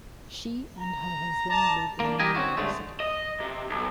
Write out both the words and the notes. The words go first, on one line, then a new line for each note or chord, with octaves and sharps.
She and her husband live in New York City.
A#5
D5 A5 A#5
A#3 D4
G3 G4 A#4 D#5 G#5
C4 C#4 F4 F#4
G2 D3 G#3 A3
D#5
C3
B1